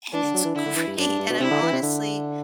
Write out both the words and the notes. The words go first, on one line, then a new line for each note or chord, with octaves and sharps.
and it's great, and I'm honestly
E3 D4
D3
F#3
E3
D3 E4
D3
E3
G2
F#2 D4
G2
G2
B2
C3 E4
D3
E3
C3
D3